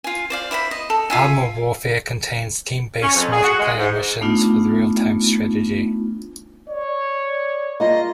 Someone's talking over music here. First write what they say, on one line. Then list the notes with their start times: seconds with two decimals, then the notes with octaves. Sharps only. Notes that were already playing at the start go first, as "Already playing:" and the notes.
"ArmA Warfare" contains team-based multiplayer missions with realtime strategy.
0.04 F4 G#5
0.30 C5 D5 F5
0.51 E4 C5 G5 B5
0.71 D#5
0.90 A4
1.10 F4 E5 G#5
3.01 C#4
3.14 F2
3.32 G#4
3.44 F#4
3.59 G#3
3.77 G#2
4.21 A3 B3 D4 D#4 F4
6.69 C#5 D5
7.80 A#3 F4 D#5 C6